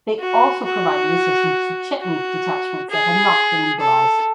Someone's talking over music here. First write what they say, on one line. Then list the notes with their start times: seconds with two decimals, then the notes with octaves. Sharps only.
They also provided assistance to Chetnik detachments that had not been legalised.
0.19 F#4
0.65 F#4
2.00 F#4
2.90 G#4
3.80 A4